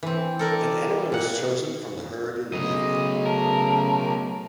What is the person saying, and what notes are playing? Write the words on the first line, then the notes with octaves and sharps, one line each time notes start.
An animal is chosen from the herd in the evening.
E3 C4
A4 A#4 D5
A#2 F#5
C#3 F#3 A3 B3 D#5
A#4 A5